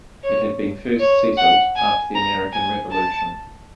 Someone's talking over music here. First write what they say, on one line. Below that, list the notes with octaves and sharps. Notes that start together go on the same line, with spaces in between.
It had been first settled after the American Revolution.
C#5
C#5
F#5
G#5
A#5
G#5
A5